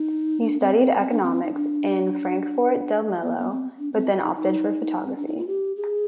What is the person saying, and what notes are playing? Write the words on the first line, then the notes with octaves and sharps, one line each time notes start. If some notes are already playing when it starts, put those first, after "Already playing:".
He studied economics in Fráncfort del Melo, but then opted for photography.
Already playing: D#4
D4
C4
C4
C4
D4
C4
D#4
D4
B3
B3
C4
D4
C4
D#4
D#4
C4
D4
D#4
F4
G4
G#4